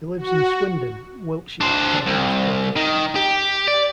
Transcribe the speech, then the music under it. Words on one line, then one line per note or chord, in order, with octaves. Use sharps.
He lives in Swindon, Wiltshire, where he was brought up.
F#4
D4 C5
C2
D#3
G4
D5